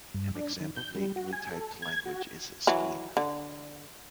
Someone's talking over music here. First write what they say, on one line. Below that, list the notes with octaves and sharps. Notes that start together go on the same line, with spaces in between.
An example latently typed language is Scheme.
G2
D4
D#3
G6
G3
F#4
G#5
A4
G#6
F#4
E3 F#3
D3